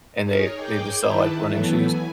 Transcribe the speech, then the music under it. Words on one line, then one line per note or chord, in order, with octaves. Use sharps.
and they they just sell, like, running shoes,
D#4 G#4 A#4 C#5
G#4 G5 D6 G6
D#3 E4 B4 A5
E3 F#3 A3 B3 E4
G#5